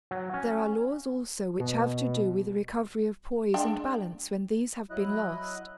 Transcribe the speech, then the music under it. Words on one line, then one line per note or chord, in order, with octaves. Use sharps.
There are laws also which have to do with the recovery of poise and balance when these have been lost.
F#3
C#4
B2
G#3 D4 G5
F#3 E4 D#5 F#6